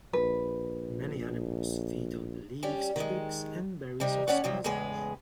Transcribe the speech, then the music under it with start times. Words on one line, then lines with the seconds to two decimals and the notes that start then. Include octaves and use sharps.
Many animals feed on the leaves, twigs, and berries of spicebush.
0.13 A#1 B4
2.63 G3 C#4 G4
2.96 D#3 G#3
4.00 C3 G3 D#4
4.28 D#2 G#2 C#4 C#5 D5 F#5
4.44 C3 D#3 F3 F#3
4.64 E2 A2 C#3 G#3 G#4 B4